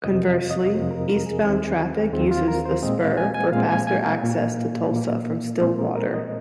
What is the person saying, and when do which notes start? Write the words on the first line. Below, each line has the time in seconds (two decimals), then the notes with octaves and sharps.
Conversely, eastbound traffic uses the spur for faster access to Tulsa from Stillwater.
0.04 F2 C3 F3 C4 D#5
0.28 F5
0.51 D#5
0.74 F2 C3 F3 C4 A#4
0.91 A#4
1.09 A#4
1.26 G#4
1.43 D#2 D#3 C4
2.13 D#2 D#3 C4 F4
2.31 F4
2.48 A#4
2.66 C5
2.83 A#2 G#3 C4 D#5
3.01 F5
3.17 G#5
3.34 G#5
3.52 A#2 G#3 C4 F5
3.70 G#5
3.87 G#5
4.05 F5
4.22 A#2 A#3
4.91 A#2 A#3
5.61 A#2 G#3 C4 C5
5.79 A#4
5.96 A#4
6.14 D#5